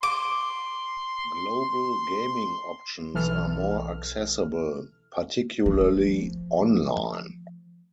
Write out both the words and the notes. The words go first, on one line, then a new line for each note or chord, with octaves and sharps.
Global gaming options are more accessible - particularly online.
C6 D6
B1 E3 A4 F6
F3 A3